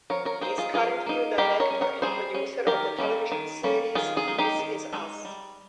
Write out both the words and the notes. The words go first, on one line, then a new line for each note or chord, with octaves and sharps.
He is currently a director and producer of the television series "This Is Us".
F3 A#4 C#5
A#4 C#5
A#3 D#4 G#4 C5
F4 G#4
F3 F4 G#4
A#3 D#4
G3 G4 A#4
A#4 C#5
C#4
A#4 C#5
G3 G#4 C5
C#4
D#3 G4 A#4
G3 A#3 C#4
D#3
G3 A#3 C#4
D#3 F4 G#4
F4 G#4
G#3 D#4
D#4 G4
D#3
G#3 D#4
G3